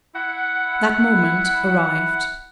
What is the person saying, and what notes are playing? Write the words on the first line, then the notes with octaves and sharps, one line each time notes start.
That moment arrived.
E4 F#5